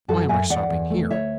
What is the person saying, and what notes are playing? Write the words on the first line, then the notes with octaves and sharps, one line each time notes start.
"Why am I stopping here?"
F#2 F#4 A4
F#2 E5 G#5
E2 D5 F#5
E2
A3
D2 C#5 E5